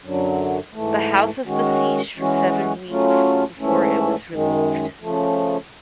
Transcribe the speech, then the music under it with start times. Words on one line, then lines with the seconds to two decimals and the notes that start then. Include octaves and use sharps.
The house was besieged for seven weeks before it was relieved.
0.02 F#2 D3 F#3
0.73 G#2 E3 A3
1.44 D#3 G#3 C#4 F#4
2.16 E3 G#3 C#4 F#4
2.87 C#3 F#3 A3 C#4 F4
3.58 G#2 E3 A3 C#4 E4
4.30 F#2 D#3 G#3
5.00 C#3 F3 A3